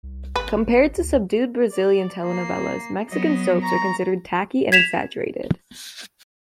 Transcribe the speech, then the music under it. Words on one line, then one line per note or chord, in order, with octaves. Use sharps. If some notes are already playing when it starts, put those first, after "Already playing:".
Compared to subdued Brazilian telenovelas, Mexican soaps are considered tacky and exaggerated.
C2
G#1 B4
D2
D5
A#3 C7
F#3 B3 D#5
A#5 C#6
G#6 B6 E7 F7